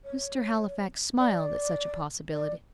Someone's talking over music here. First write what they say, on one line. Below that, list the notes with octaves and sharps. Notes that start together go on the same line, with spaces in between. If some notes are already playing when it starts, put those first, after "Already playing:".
Mr. Halifax smiled at such a possibility.
C#5
D5
D5